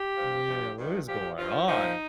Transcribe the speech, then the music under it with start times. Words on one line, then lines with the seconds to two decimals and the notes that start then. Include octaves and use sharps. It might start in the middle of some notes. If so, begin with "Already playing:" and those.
Yeah, what is going on?
Already playing: G4
0.16 G2 F3
0.47 G2 F3
0.77 G2 D#3
1.07 A#2 F3 G4
1.37 G2 F3 F4
1.67 A#2 F3 D#4